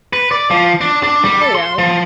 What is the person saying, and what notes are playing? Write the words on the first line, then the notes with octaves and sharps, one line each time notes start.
Oh, yeah,
B4
D5
F3
D4
D4
G3
A4
C6
F3